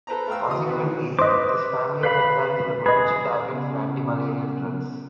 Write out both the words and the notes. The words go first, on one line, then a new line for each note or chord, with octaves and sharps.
Consequently, this family of enzymes is a potential target for antimalarial drugs.
A4 B4 C5 A#5
A3 A#4 F5 G5 E6
E2 B2 D#5 D#6
B3 C4 F#4 B4
D#3 E3 F#3
B4 C5 D#5 D6
B4 F5 B5
G#4 B4 D#5
C#3 B3 C#4